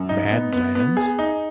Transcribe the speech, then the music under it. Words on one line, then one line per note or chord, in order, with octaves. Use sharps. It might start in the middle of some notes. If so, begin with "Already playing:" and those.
Mad Lands?
Already playing: F#2
D#4
B3
B3
B3
G#4
D#4